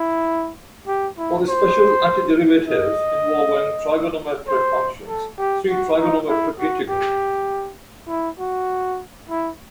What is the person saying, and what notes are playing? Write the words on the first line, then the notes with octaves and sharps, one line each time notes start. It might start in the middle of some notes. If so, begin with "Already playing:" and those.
For the special antiderivatives involving trigonometric functions, see Trigonometric integral.
Already playing: E4
G4
E4
C5
D#5
C5
A4
G4
F#4
D#4
E4
F#4
G4
E4
F#4
E4